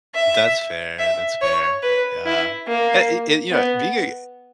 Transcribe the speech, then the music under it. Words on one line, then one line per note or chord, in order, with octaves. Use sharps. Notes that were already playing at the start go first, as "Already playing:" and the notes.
That's fair. That's fair. Yeah, and and you know, being a
E5
E5
C#5
B4
E4
A#3
B3